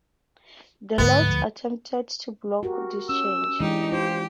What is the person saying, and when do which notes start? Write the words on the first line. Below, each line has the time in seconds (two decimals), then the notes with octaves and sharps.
The Lords attempted to block this change.
0.98 D2 G#2 F3 B3 F#6
2.63 F#4 G4 A#4
3.09 C#4 E6
3.61 E3 G#3 D4 D#4 G4
3.92 F4 G4 C5